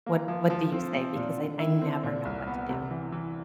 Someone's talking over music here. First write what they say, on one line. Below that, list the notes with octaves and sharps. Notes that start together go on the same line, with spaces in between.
What what do you say, because I I never know what to do.
A#3
F3
F3
C4
C4
A#2
D3
E4
C4
A#2
C2
B3
C3
E3
E3